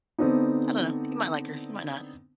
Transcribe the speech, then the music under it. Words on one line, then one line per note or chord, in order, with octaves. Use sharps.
I don't know. You might like her. You might not.
D3 B3 C4 D4 D#4